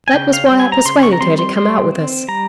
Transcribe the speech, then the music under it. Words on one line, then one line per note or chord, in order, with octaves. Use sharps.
That was why I persuaded her to come out with us.
G#5
C#3 G5
F5
G3 C4 G5
G#5
A#5
C#3 C6
C6
C#6
A#5
G3 C4 C6
C6
G3 C6
C4
G3 A#5